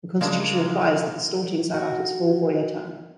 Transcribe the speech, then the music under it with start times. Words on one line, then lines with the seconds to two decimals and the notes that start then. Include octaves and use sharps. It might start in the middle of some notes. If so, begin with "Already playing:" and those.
The Constitution requires that the Storting serve out its full four-year term.
0.21 C#3 G#3 A#3 D4
1.74 F#4